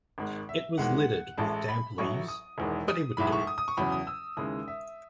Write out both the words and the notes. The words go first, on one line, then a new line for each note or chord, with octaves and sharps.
It was littered with damp leaves, but it would do.
G#1 G#2 D#3 G#3
E5
E2 D#3 G#3 F#5
A1 A2 G#3 A5
B5
A1 A2 F#3 C#6
D#6
E1 E2 D#3 G#3
D#6
B1 A2 E3 G#3 B5
C#6
D#6
D#6
C#6
E2 C#3 F#3 B5
D#6
E6
D#2 C#3 E3 G#3 D#6
E5